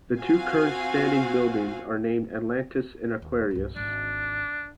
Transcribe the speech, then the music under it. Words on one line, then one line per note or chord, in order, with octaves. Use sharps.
The two current standing buildings are named Atlantis and Aquarius.
C4 F4 F#4 F5 G#5
D#2
G1 C2
G#1 D4 D#4